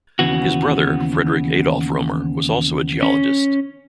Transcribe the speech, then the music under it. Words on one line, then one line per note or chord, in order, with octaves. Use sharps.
His brother, Friedrich Adolph Roemer, was also a geologist.
D#2 C#3 E3 B3 F#4
C#4